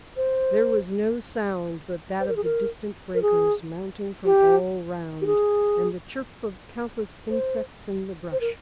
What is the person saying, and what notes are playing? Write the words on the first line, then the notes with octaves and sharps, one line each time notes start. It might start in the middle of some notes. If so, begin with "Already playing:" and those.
There was no sound but that of the distant breakers, mounting from all round, and the chirp of countless insects in the brush.
C5
C5
A#4
G#4
A#4
A#4
G#4
G4
G4
G#4
C5
C5
A#4